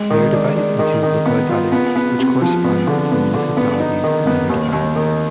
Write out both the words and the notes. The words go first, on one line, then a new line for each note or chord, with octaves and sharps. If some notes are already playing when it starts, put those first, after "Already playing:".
They are divided into "localidades", which correspond to the municipalities in other departments.
Already playing: G#3
D#3
D4
D4
D#3
D#3
B3
F4
B3
B3
C3
F3
B3
D3
B3
D3
B3
D#4
D#3
B3
D#2
D#2
D#3